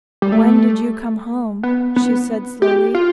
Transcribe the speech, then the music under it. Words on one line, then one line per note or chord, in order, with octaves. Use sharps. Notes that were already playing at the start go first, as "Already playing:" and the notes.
"When did you come home?" she said slowly.
G3
A3
B3
B3
G4
F4